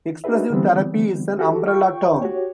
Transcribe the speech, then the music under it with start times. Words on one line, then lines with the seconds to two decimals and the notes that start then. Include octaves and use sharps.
Expressive therapy is an umbrella term.
0.24 D4 D#4 F#4 G#4 B4 E5
0.50 D3 E3 G3 B3 C4
1.39 F#4 G4 A4
1.67 F4 G5 C#6
2.22 F#4 G4 C#5